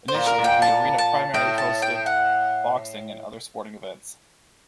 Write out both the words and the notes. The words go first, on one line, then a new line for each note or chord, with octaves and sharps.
Initially, the arena primarily hosted boxing and other sporting events.
C5
A#2
A#4
A#2
G5
A5
A5
A2 G5
A5
G5
F#5